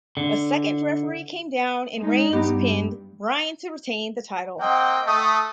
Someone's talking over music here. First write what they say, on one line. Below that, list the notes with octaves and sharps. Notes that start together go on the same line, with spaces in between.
A second referee came down and Reigns pinned Bryan to retain the title.
D3
G#3 D#4
G2 B3 G4
A#3 C4 D#5 F#5 G5
A3 D#6